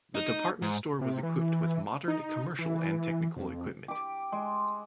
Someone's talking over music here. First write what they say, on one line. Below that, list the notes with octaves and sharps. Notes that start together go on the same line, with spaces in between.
The department store was equipped with modern commercial and technical equipment.
D#4
G#2
C3
E3
D#4
E3
F2
G4 D6
G#3